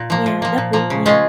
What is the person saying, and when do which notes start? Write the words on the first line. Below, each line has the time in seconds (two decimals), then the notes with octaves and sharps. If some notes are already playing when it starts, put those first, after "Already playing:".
Yeah, definitely.
Already playing: A#2
0.10 F3 A#3
0.26 A#2
0.42 F3 A#3
0.58 A#2
0.73 F3 A#3
0.90 C#3
1.06 G#3 C#4 F4